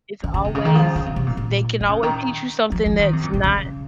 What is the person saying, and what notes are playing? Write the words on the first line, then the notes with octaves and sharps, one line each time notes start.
it's always th they can always teach you something that's not
C#3
C#3
C3
C#3
D#3
F3
C#3
C3
C3
A#2
A#2
D#3
C#3
D#3
F3
F3
D#3
C3
A#2
A#2
C#3